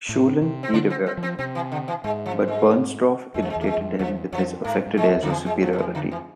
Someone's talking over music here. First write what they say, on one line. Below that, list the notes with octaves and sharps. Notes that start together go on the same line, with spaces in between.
Schulin he revered, but Bernstorff irritated him with his affected airs of superiority.
A2
C3
C4
D3 D4
C4
C4
F3
C4
C3 C4
E3
D3
E3
G#2 G#3
F3
G#3
F2 G#3
F3
G#3
E2
A3
G#3
F2
E2 F3
F2 F3
G#2 A3
G#2
G#3
F2
E2
D3
F2 E3
G#3
F3
F3
E3
D3
E3